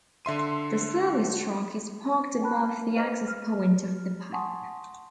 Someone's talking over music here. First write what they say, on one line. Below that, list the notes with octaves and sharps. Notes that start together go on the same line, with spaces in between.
The service truck is parked above the access point of the pipe.
D3 E5 C6 D#7
A#4 G5 A5 B5 F#6
B4 C5 D#5 G5 F6
B4 F6
F#5 G#5 A5 C6 C#6 D#6